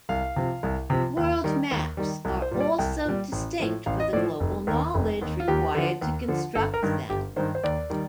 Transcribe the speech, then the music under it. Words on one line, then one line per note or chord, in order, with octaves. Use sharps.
World maps are also distinct for the global knowledge required to construct them.
C2 F5
C3 F3
C2
C3 F3
D#2
D#3 G3
D#2
D#3 G3
C2
C5
A#2 G3
D5
C2 G5
A#2 G3
A1
A2 F3
A1 F5
D#5
A2 F3 D5
F1
D#2 D#3
F1
D#2 D#3
F4
D#2 G4
D3 F3
D#2
D3 F3
G1 A4
A#4
G2 D#3
G1 G4
G2 D#3 C5
C5
D#2 D5
D#3 G3